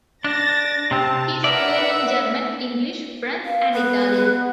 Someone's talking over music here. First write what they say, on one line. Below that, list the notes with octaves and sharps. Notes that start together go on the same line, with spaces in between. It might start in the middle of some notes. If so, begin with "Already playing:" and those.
He is fluent in German, English, French and Italian.
D4 A6 A#6
C3 C4 A5
A#4 B4 D5 E5 F#5
F5
B3 B4